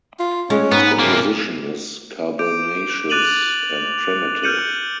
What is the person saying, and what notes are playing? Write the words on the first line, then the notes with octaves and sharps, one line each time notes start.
Its composition is carbonaceous and primitive.
F4
G#3 C#4
G#2 B3
C3 F#3 A#3
D6 G6 D7
D6 F#6 A6 D#7 F7 F#7
F6 G6 C#7 D#7 F#7